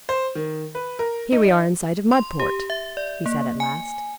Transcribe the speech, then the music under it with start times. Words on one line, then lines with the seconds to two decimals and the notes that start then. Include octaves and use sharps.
"Here we are in sight of Mudport," he said at last.
0.09 C5
0.35 D#3
0.75 B4
0.99 A#4
1.32 D#4
2.11 C6
2.40 G4
2.70 E5
2.97 D5
3.26 A#3
3.60 G#5